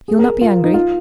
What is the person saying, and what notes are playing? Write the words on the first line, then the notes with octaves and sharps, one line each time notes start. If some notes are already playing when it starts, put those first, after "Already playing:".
"You will not be angry?"
G#4
A#4
F4
D#4
F4